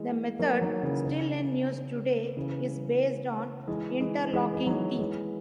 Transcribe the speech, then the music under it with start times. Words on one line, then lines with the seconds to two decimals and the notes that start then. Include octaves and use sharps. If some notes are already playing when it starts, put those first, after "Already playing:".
The method, still in use today, is based on interlocking teeth.
Already playing: E3 G#3
0.39 F#3 A#3
0.61 D#3 F#3
0.83 C#3 E3
1.05 C#3
2.37 C#3 E3
3.67 E3 G#3
4.00 E3 G#3
4.33 E3 G#3
4.55 G#3
4.66 D#3 F#3
4.99 E3 G#3